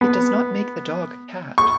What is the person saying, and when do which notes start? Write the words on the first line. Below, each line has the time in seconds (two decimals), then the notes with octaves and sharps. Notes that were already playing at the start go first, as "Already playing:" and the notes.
It does not make the dog a cat.
0.01 B3
1.58 C#6